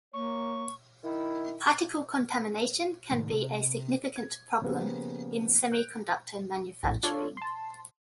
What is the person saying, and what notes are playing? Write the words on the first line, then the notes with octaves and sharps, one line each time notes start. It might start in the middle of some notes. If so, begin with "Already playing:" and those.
Particle contamination can be a significant problem in semiconductor manufacturing.
A#3 C#5 C#6
D#3 E4
A2 C3 D#3 A3
C3
G#6
C#3 F3 A#3 B3 G4 C5
F#6 G6 D7
A#1 F2 A2
D4 F4 A4 C#5
A5 C6